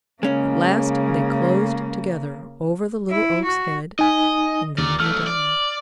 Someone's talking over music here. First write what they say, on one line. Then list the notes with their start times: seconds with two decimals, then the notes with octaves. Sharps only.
At last they closed together over the Little Oak's head, and then he died.
0.23 C#3 G#3 A#3 C#4
3.10 E4
3.45 F#4
3.99 D#4 D#5 G#5
4.78 D#2 A#4 D5
5.00 B1 A3 F6
5.27 D5